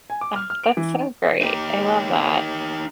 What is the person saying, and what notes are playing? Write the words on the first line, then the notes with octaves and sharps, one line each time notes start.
Ah, that's so great. I love that.
G#5
D6
F6
F6
D7
E3
D#4
D#4 G4